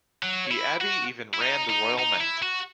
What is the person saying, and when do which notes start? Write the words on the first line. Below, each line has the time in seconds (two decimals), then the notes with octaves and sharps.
The Abbey even ran the Royal Mint.
0.23 F#3
0.51 E4
0.81 F#4
1.34 E4
1.40 D#4
1.70 D#4
1.99 D#4
2.21 E4
2.43 F#4